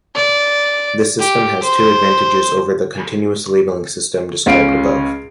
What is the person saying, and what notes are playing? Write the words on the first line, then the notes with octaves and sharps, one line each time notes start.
This system has two advantages over the continuous labeling system described above.
D5
G4
C5
C#2 C#4 F5 C7 D7